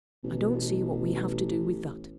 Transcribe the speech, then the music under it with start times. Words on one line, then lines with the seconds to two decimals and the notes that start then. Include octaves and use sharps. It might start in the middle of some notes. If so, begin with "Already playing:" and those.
'I don't see what we have to do with that.
0.24 A1 B2